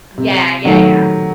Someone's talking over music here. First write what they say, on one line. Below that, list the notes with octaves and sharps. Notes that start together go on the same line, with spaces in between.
Yeah, yeah, yeah.
C3
D#3 F#3 A3